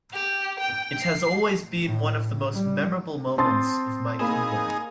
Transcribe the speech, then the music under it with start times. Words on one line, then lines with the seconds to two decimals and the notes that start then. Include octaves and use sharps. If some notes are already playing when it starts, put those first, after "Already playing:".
It has always been one of the most memorable moments of my career.
0.13 G4
0.60 G5
1.00 C7
1.85 A2
2.52 G3
3.38 C4 A5 C6 D#6 A6
4.19 A#3 D#4 G#4 B5 E7